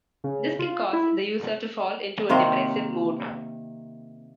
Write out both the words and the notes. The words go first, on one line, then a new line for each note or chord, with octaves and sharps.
This can cause the user to fall into a depressive mood.
C#3
F4
E4
C3 D#3 A#3 C4